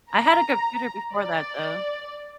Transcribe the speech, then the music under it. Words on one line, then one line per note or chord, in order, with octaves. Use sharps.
I had a computer before that, though.
A#5
D5